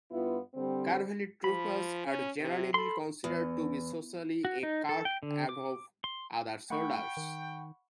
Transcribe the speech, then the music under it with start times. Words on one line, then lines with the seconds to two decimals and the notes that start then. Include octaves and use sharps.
Cavalry Troopers are generally considered to be socially a cut above other soldiers.
0.11 G2 B3 E4 F4
0.54 D3 G3 C4
1.44 F3 B5
2.07 C#4
2.40 C3
2.74 A4 B5 C6
3.24 E2
4.45 F#4
4.63 D#4
4.89 A4
5.05 G5
5.23 D3
5.49 D6
6.04 C6
6.70 A3 F#5 G5 B5 C#6
7.17 D#3